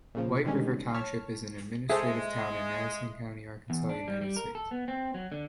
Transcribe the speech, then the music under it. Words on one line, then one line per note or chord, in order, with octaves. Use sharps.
White River Township is an administrative town in Madison County, Arkansas, United States.
A#2 C#3 F3
B2 D3 D#3 G3 G#3 C#4
C#5 A5 C#6 F6 B6
G#3 G#4 A4 C5 E5
E2
D4
G3
G3
A#4
A4
B3
C4
F#3
D3